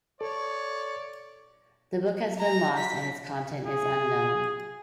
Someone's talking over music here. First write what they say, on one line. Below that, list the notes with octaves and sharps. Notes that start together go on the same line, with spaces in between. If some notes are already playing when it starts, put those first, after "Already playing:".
The book has been lost and its content is unknown.
A4 C#5 D5
A#5
B6
G#4